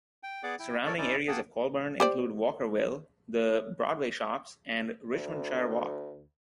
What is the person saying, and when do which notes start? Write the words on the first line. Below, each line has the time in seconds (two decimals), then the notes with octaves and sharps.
Surrounding areas of Colburn include Walkerville, the Broadway Shops and Richmondshire Walk.
0.23 G5
0.43 B3 G#4 D5 F#5 D6
0.59 E4 G5
0.86 A4 A#4 C#5 D5
0.98 C#4 D#4 E4 D5
1.28 A#3 G#4 F#5 G5 A5 D#6
2.00 G4 C5 D5
5.13 D2